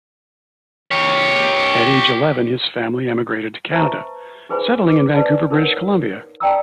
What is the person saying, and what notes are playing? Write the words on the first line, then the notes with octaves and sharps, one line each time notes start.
At age eleven, his family emigrated to Canada, settling in Vancouver, British Columbia.
G4 C#5
B4 C5 E5 A5 A#5 C#6
D#4 G#4 B4 C5 G#5 B5
B4 D6
B4 C5 D5 G#5 A5
D#4 A#4 B4 C#5 F#5
D5 G5 A5 A#5 D#6 E6